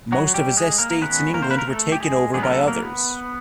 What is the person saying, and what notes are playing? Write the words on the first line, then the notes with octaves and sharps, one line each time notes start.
Most of his estates in England were taken over by others.
F#3 F#4
G3 G4
G#3 G#4
A#3 A#4
A#4
D#3 G#3 B3 C#4 B4
A#3 A#4
C5
B4
A#4
A3 A4
G4
G#3 G#4
D3 F#3 G#3 B3 G#4
A#4
A3 A4
A#3 A#4
B3 B4